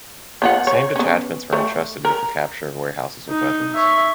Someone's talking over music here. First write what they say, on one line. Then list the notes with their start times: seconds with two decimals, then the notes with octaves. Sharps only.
The same detachments were entrusted with the capture of warehouses with weapons.
0.42 B3 F4 F#5
0.67 C#5
0.96 B3 C#4
1.53 A3
2.05 A#4
3.30 D#4
3.75 C#5 E5